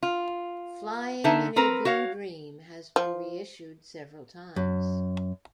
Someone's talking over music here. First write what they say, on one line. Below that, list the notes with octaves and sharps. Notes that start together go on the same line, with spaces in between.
"Flying in a Blue Dream" has been reissued several times.
F4
D3 D#4 E5 G#5 A5
C4 A#4 B4 A#5
F#4 C#5 F5
F3
F#2